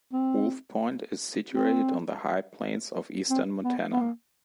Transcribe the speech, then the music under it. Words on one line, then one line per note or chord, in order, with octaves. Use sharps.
Wolf Point is situated on the High Plains of eastern Montana.
C4
C4
C4
B3
B3
A#3